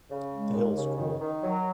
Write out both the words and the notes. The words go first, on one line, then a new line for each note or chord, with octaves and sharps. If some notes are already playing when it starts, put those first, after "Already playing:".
The Hill School.
C#3
G#3
D#2
C#3
D#3
D#3
F#3